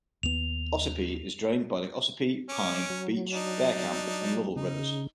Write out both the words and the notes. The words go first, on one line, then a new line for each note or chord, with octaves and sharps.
Ossipee is drained by the Ossipee, Pine, Beech, Bearcamp and Lovell rivers.
D#2 B3 F7
C#4 D6
F#3
D4 D#4
C#3 D#4